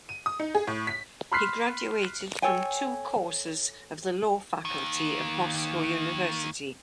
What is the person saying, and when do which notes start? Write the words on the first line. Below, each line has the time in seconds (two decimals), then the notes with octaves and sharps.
He graduated from two courses of the Law Faculty of Moscow University.
0.09 D#7
0.26 D#6
0.40 D#4
0.55 G#4
0.67 A2
0.87 B6
1.32 B5 C6 F6 F#6 B6 C7
2.42 A4 C#5 G5 G#5
4.65 D#2 D#3